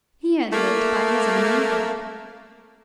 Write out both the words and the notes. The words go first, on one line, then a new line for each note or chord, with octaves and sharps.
He had lived by his own labor.
A3 A#3